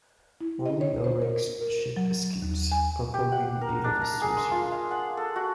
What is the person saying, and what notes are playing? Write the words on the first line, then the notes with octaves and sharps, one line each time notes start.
Only Elric's ship escapes, propelled by the aid of his sorcery.
E4
D#5
C#5
C5
A#4
A#4
F#3
D#2
G#5
G4
F#5
A#4
D4
A#5
G#4
C6
F4
F5
F#5
A4
F#4